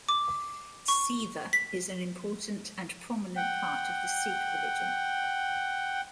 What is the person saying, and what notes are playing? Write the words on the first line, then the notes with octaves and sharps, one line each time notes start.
Seva is an important and prominent part of the Sikh religion.
D6
C#6
B6
F#5 G5